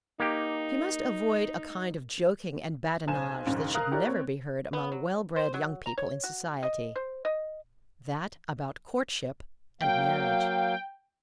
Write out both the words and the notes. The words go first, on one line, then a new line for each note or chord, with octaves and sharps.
She must avoid a kind of joking and badinage that should never be heard among well-bred young people in society--that about courtship and marriage.
A#3 D#4 G4
B1 C5 G#5 G#6 E7
A#1 D#2 G#2 C#3
A#4 F5 D#6 F#6
E4 G4 A#4 C#5 D5
C4 C#5
B3
F#3
C5
F#3
A#5
C#5
F#4
D#5
C5
D#5
F#3 A#3 F5 G5